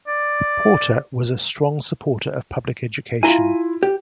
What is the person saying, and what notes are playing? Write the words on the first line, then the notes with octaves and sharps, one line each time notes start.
Porter was a strong supporter of public education.
D5
E4 F4 G#5 A#5
G4